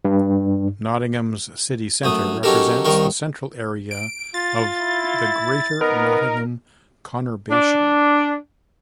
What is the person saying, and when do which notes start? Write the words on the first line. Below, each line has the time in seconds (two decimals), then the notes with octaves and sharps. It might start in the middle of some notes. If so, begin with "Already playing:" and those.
Nottingham's city centre represents the central area of the Greater Nottingham conurbation.
0.05 G2
2.04 F#2 A3 D#6
2.43 F#3 C#4 D#4 G4 A4 A#4
2.85 C2 D#3 A#4 G5 C#6
3.91 D7
4.34 F4 A6
4.80 E4
5.81 B3 D#4 A#4
7.50 D4